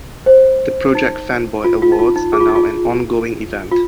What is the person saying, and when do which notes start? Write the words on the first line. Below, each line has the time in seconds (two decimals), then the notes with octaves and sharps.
The Project Fanboy Awards are now an ongoing event.
0.26 C5
0.95 D#4
1.64 F4
1.82 F4
1.92 D#4
1.99 F4
2.16 D#4
2.33 G#4
2.40 F4
2.48 D#4
2.55 F4
3.71 F4